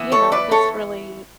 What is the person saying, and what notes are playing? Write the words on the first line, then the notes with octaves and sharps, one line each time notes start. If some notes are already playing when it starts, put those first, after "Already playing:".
you know, "this really"
Already playing: E3 B3 E4
A4 C#5
B4 D5
A4 C#5